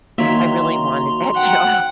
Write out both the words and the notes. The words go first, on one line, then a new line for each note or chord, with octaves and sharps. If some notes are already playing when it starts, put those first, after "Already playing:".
"I really wanted that job,"
D#3 F#3 A#3 F#4 E5 A#5 C6
F#5 G5